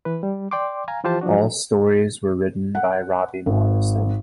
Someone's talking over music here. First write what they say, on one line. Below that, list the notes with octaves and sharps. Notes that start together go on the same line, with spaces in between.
All stories were written by Robbie Morrison.
E3 B4
G3
D5 G5 C6 D6
F5 G#5 A#5
E3 F3 F4 G4 C5 A5
F3 F#3 D4 F#4
F#5
G#1